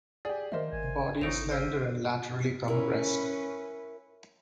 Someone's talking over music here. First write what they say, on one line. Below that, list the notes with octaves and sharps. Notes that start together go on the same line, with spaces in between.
The body is slender and laterally compressed.
G4 G#4 D5 G#5
D#3 A#3 A#4 C5 D#5 E5
G#1 G#5
G#1 C4 D#4 E4 C#5 A#6 D7 F7
C5 E5 F6 G6 A#6 C7
C#4 E4 A#4 B4